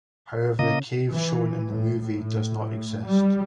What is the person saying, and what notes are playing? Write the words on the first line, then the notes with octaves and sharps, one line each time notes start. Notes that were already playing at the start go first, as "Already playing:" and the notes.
However, the cave shown in the movie does not exist.
C#3 A#3 C#4 D#5
E3
A2
A2
G3